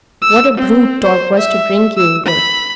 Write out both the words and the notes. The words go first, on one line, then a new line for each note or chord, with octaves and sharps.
What a brute Torp was to bring you over.'
E6
C4
C5
E5
E6
B5